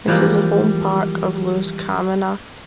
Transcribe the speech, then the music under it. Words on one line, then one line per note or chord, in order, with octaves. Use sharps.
It is the home park of Lewis Camanachd.
E3 F3 G3 G#3 A#3